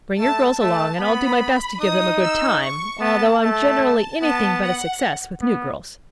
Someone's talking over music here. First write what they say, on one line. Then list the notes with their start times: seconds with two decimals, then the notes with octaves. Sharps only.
Bring your girls along and I'll do my best to give them a good time, although I'm generally anything but a success with new girls.
0.20 A3 A5
0.60 A3 A5
1.00 B3 B5
1.80 D#4 D#6
2.21 E6
2.61 C#6
3.00 B3 A5
3.41 A3 A5
4.21 B3 A5
4.62 F#5
5.42 B3